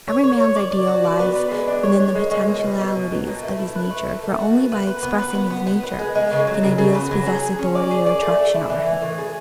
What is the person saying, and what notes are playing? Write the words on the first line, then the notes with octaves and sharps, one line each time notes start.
Every man's ideal lies within the potentialities of his nature, for only by expressing his nature can ideals possess authority or attraction over him.
C#5
C#5
C#5
D5
D5
F#4
D5
B3
B4
G#3
D4
C#5
C#5
G#3
G#3
B2
B2
B2
B2
F#3
B2
A3
E4
B4
A3
A3
A3
F#4
B3
B4
B4
B3
B4
B3
B3
B3
B3
G#3
G#3
C#3
F#3
C#3
C#3
B3
F#3
G#4
G#4
C#4
D5
G#4
D5
A3
A3
E4
E3
E3
A2
G#4